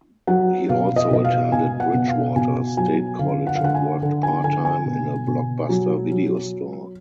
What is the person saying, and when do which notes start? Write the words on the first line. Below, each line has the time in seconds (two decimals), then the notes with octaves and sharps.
He also attended Bridgewater State College and worked part-time in a Blockbuster video store.
0.27 F#3 F#5
0.69 B2 F5
0.96 D#5
1.11 B2 D#5
1.24 F5
1.52 B2 G#5
1.80 F#5
1.94 B2
2.08 F5
2.36 B2 G#5
2.77 F#3 G#5
3.19 D3 F5
3.47 F#5
3.56 F5
3.61 D3 F#5
3.75 G#5
4.02 D3 F#5
4.23 G#5
4.44 D3 G#5
4.65 G#5
4.86 B2
5.27 B2
5.69 F#3
6.11 F#3